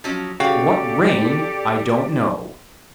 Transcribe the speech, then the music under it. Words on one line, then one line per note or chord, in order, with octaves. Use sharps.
What rain, I don't know.
F3 F#3 C#4
C#3 F#4 G4 A4 D5 F5 G5